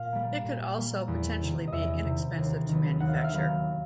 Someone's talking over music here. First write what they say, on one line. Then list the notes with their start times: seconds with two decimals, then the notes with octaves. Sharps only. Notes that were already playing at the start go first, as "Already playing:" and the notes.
It could also potentially be inexpensive to manufacture.
Already playing: A#2 F5
0.13 G3 A#3
0.45 A#2
0.77 G3 A#3
1.08 E2
1.41 C3 D#3
1.68 E2 D#5 E5
2.05 C3 D#3
2.37 D#2
2.69 D#3 F#3 B3
3.00 D#2 F#5
3.09 F5
3.16 E5
3.24 F5
3.33 D#3 F#3 B3